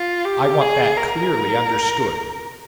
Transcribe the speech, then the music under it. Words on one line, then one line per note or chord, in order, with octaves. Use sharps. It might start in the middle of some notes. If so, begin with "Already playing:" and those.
I want that clearly understood.
Already playing: F4
G4
G#4
A#4